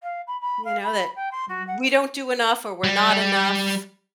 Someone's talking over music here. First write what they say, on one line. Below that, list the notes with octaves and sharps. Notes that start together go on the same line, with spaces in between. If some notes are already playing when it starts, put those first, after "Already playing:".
you know, that we don't do enough or we're not enough,
F5
B5
B5
F5
B5
G5
C6
F#4
F#5
G3